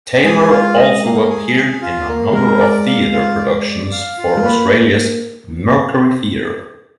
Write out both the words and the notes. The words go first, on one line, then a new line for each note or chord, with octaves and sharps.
Taylor also appeared in a number of theatre productions for Australia's Mercury Theatre.
G#3 G#4
F4
D#5
A#3
G#4
G#4
F4
A#3
G#3 A#4
D5
F5
F4
D5
D5
F5
F4
G#3
A#3 B4